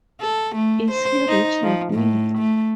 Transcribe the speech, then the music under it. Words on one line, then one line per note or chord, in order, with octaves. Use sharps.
Is he rich like me?
A4
A3
C5
D#4
F3
A2
A3